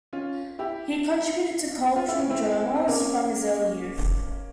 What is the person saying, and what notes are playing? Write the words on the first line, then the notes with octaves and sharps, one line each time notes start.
He contributed to cultural journals from his early youth.
C#4 F4
E4 G4
F4
E4
C#4
C4 E4
C4
A#3 C#4